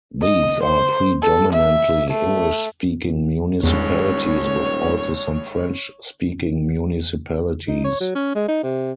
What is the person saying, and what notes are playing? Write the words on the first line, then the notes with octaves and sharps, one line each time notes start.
These are predominantly English-speaking municipalities, with also some French-speaking municipalities.
D#5
C5
A4
E5
A3
D#1 G#1 E2 G2 G#3 C#5
D#4
C#5
F#3
C#4
G#3
D#4
C3